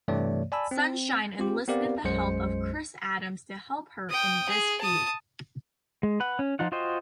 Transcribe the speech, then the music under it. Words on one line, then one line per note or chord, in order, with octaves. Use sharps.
Sunshine enlisted the help of Chris Adams to help her in this feud.
G2 C3 E3 A3 C#5 D5
D5 G#5 A5 B5 E6
C4
C4 F4 G4
B3 C4 G4 A#4 D5 F5
B1 F#2 G#3 C5 C#7
G5 D#6
G#4
A5 D#6
G#3
B4 F#5
C#4
F3 D#4 F4 F#5
F4 F#4 C5 D#5 G5